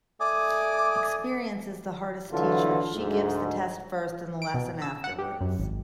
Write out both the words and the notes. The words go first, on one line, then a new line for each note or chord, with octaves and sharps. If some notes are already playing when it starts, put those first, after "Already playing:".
Experience is the hardest teacher. She gives the test first and the lesson afterwards.
A3 D5 G#5 D6 D#6
D3 E3 F#3 A3 F4 A4
D2 G#2
D7
B2
E6
F#5
G4
F#2
G#1